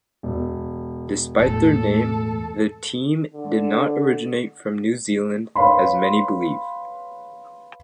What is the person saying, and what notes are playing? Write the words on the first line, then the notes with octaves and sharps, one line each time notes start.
Despite their name, the team did not originate from New Zealand as many believe.
E1
E2 A2 A4
D3
B4 C#5 F5 B5 C6